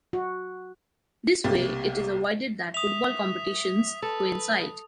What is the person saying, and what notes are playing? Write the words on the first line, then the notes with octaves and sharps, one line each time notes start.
This way, it is avoided that football competitions coincide.
F#4
B1 C3 G3 A#3 A6
E5 D#6 F7
A4 B4